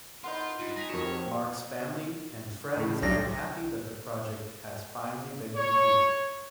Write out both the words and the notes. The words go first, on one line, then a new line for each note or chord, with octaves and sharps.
Mark's family and friends are happy that the project has finally been completed.
D#4 F4 B4 F#5 C6
G2 F4
G#4 A#6 B6 F7
F2 F#4 A#4 C#5 E7
G4 C5 G5
A2 C#3
B1 F#3 G3 D4 A#6
C#5